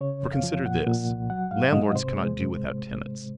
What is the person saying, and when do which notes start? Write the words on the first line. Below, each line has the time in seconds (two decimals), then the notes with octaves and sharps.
For, consider this: landlords cannot do without tenants.
0.01 C#3 C#5
0.23 F2
0.33 F5
0.43 F3
0.66 A#2 F#5
0.87 A#2
1.09 C2
1.30 F#3 F#5
1.51 G#2 F5
1.73 G#2 D#5
1.94 C3 C5
2.16 G#3